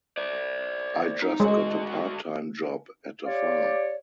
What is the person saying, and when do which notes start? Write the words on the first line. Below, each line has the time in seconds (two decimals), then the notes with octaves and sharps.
I just got a part time job at a farm.
0.18 C5 D5
1.22 D#4
1.40 D2 G#3 F#4
3.25 F4 G4 C#5 D5